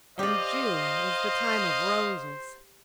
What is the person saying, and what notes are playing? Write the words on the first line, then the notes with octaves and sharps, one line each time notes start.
And June is the time of Roses.
G4 C5 D5 D#5 F5